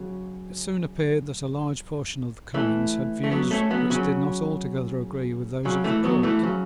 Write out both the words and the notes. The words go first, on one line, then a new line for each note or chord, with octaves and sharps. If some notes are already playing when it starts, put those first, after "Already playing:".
It soon appeared that a large portion of the Commons had views which did not altogether agree with those of the Court.
Already playing: C#3 F#3
E3 A3
A3
F#3 B3
A3 C#4
F#3 B3
C#3 F#3
C#3 F#3
E3 A3
F#3 B3
E3 A3
C#3 F#3